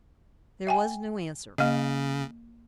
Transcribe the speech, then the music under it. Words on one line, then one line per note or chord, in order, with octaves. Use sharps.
There was no answer.
E5 G5 G#5
C#3 A#3 D#5